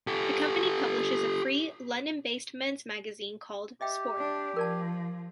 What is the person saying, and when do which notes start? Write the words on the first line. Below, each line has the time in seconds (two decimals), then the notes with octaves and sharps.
The company publishes a free, London-based men's magazine called "Sport".
0.07 G4 A4
3.81 G4 D#5 E5 G5
4.18 D4
4.56 F3 A#4 D5 A5